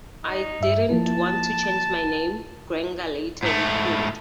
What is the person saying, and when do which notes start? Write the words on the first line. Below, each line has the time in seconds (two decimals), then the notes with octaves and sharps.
I didn't want to change my name, Granger later recalled.
0.24 D#4
0.61 G2 E5
0.90 F3 A#3 E4 A5
3.43 G#2 A3